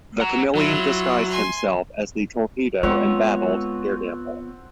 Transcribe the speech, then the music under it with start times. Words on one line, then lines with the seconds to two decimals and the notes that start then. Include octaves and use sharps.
The Chameleon disguised himself as the Torpedo and battled Daredevil.
0.20 F#5 A#5
0.55 F#3 E4 F4
1.29 G#5 C6
2.83 G#3 B3 C4 F4 C#5 F#5